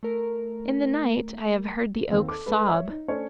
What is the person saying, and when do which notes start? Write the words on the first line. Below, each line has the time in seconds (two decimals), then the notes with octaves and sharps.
In the night I have heard the oak sob.
0.03 A3 A#4
2.11 D#2 C4
2.28 A4 D6
2.46 G#3 A4 B4
2.68 C#5 E5
2.90 D#4
3.08 A3 C#4 D4 C5 C#5